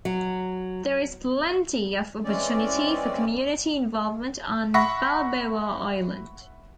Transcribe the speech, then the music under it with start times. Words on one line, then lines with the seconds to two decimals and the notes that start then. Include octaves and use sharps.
There is plenty of opportunity for community involvement on Balboa Island.
0.05 F#3
2.24 E3 G#3 C4 C#4 D5
4.74 E5 F#5 B5 C#6 A#6